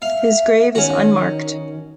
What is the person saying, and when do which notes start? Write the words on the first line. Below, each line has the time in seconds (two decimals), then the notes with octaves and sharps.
His grave is unmarked.
0.02 E5 F5
0.75 D#3 C#4 F#4